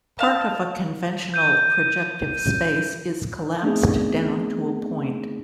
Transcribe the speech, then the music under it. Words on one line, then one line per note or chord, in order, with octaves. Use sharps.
Part of a conventional projective space is collapsed down to a point.
F5 A5
G6 D#7
A3 B3 C4 D4 D#4 G#4